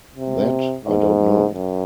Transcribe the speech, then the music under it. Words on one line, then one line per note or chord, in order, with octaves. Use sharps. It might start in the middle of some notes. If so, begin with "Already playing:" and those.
That I don’t know.
C3
G#2
F#2